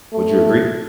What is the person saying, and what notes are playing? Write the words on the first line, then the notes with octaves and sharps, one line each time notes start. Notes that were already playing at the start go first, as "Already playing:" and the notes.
Would you agree?
A3